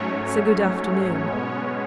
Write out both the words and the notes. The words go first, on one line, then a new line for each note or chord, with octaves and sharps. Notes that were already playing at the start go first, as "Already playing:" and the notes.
So good afternoon.'
Already playing: G#2 F#3 A3 C#4 C#5
C#4 C#5
B2 G#3 B3